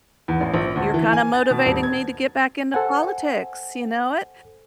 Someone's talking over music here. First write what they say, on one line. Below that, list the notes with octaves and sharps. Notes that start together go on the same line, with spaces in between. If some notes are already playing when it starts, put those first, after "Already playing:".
You're kinda motivating me to get back into politics. You know it?
E2
A1
A#1
D2
E3
G#5
A6
B2
D#1
G#6
A4 C5 F#5 G#5